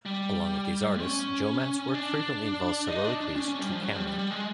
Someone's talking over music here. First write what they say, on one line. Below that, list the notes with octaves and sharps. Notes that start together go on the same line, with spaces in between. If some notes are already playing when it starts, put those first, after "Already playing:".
Along with these artists, Joe Matt's work frequently involves soliloquies "to camera".
G3
C#4
D4
D#4
D4
D4
C#4
C#4
G3
F3
F#3
G3
G3
G3
G#3